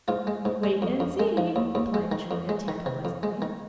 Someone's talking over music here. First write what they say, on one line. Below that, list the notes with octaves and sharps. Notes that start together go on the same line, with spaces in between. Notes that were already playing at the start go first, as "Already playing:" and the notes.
"Wait and see," replied Julia tantalizingly.
G#2 F4
G#3
G#2
G#3
F2
F2
G#3
F3
D#2
D#2
G#3
D#3
F2
G#3
D#3
C3
F2
G#3
D#3